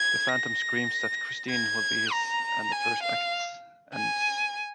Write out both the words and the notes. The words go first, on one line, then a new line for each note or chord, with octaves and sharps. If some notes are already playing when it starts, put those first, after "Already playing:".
The Phantom screams that Christine will be his and the first act ends.
Already playing: G#6
A#6
G#6
A#5
G#5
F5
G#5